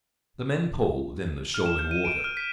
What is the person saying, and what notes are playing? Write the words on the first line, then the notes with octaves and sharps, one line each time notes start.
The men poled in the shoaling water.
F6
E7
G6
D#7
D7
F6
B6